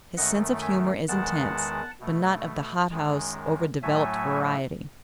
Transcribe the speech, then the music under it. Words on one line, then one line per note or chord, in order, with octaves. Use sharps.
His sense of humor is intense, but not of the hothouse, overdeveloped variety.
F#2 D#3 A3 D#5 F#5
E5 G#5
E2 D#3 G#3 F#5 A5
B2 A3
F#2 D#3 G#3
A2 F#3 A3 E5 G#5